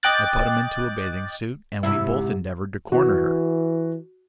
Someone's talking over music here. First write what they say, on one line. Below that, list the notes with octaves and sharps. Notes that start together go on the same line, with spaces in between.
I put him into a bathing suit, and we both endeavored to corner her.
D#5 G5 D6 F#6 A6
G#2 C3 E4
E3 F#4